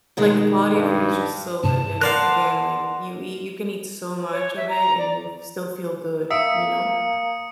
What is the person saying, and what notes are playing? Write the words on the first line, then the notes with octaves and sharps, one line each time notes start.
like, the quality of food is just so good, and again, like, you eat you can eat so much of it and you'll f still feel good, you know?
B2 D#3 G#3
G2
G2 C3 A5
A#4 D5 F5 F#5 C6 F#6
C#5
E5
A#5
D5
A#3 E5 D#6 C#7 D7